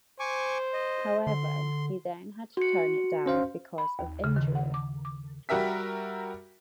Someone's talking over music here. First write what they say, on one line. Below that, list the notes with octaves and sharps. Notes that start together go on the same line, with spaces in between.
However, he then had to turn it down because of injury.
C5 G#5 C#6 D6
D#5
D3 C6
F#4 C#7
C#4 C5 F5
B5
D#2
C#3
D#3
F#5
D6
D6
G3 F#4 G4 A#4 E5 B6